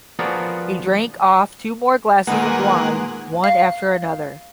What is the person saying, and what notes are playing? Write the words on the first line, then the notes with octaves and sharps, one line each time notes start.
He drank off two more glasses of wine, one after another.
F3 B3 F#4 G#4 A#4 D5
A#2 D#3 G#3 A#3 B3 F#5
F5